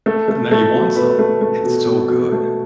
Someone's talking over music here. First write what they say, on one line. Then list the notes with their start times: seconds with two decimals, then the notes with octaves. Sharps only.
And now you want some, it's so good,
0.06 A3 A4
0.28 A3
0.51 A3
0.74 B2
0.96 B2 B4
1.19 A3
1.41 A3
1.64 B2
1.86 B2
2.09 B2
2.32 A3